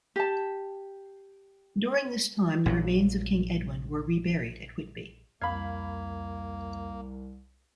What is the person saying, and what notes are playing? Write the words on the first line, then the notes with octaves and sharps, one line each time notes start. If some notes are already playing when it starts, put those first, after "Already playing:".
During this time, the remains of King Edwin were reburied at Whitby.
G4 A5
A#1 A#2 F3 F#3
C2 F2 A#3 F5 B5 G#6